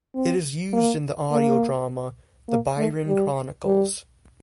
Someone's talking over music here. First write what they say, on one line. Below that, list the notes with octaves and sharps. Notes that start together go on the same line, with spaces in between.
It is used in the audio drama, "The Byron Chronicles".
C4
A#3
A#3
A#3
A3
G3
G3